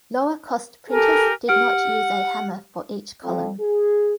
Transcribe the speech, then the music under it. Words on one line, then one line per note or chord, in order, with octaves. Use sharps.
Lower-cost printers did not use a hammer for each column.
G4 A4 A#4 G#5
G4 F#5 F6 D7
F2
G#4